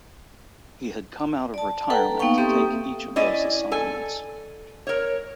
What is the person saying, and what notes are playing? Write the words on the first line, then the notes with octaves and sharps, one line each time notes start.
He had come out of retirement to take each of those assignments.
D5 A5
A4 B4 F#5 G5 A#5
A#3 B3 D#4 F5 G5 C#6
A#3 C4 G4 A4 E5 D#6
C#4 E4 D5 D#5
A4 G#5
A#4 C#5